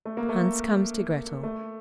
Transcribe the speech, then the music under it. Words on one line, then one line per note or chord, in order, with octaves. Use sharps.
Hans comes to Grettel.
A3
A#3
A3
A3